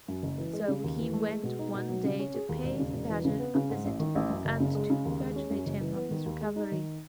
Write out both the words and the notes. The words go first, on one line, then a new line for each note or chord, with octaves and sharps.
So he went one day to pay the badger a visit and to congratulate him on his recovery.
F#2
F#1
E3
G#3
C#3
D#2
E3
A3
G#3
B2
D#4
B2
F#3
C#3
C#4
G#4
D#2
E1
C#3
E1
E3
C#3
B3
C#3
G#2
A1
D#3
A1
F#2
F#1
C#3
G#3
C#3
D#2
G#3
C#4
F#2
F#1
E3
B3
D#3
D#2
G#3
D#4
D#3